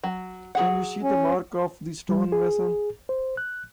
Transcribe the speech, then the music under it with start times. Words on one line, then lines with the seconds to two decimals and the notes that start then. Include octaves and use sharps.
Can you see the mark of the stonemason?
0.04 F#3
0.55 F#3 G#4 F#5
1.02 C#4
2.09 G3
2.32 G#4
3.09 C5
3.37 F#6